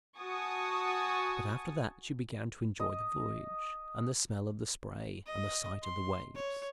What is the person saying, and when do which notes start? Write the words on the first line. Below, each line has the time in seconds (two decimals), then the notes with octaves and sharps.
But after that she began to enjoy the voyage and the smell of the spray and the sight of the waves.
0.18 F#4 G#5 A5 C#6 D#6
2.80 D#5
5.26 D#5
5.83 C6
6.35 C#5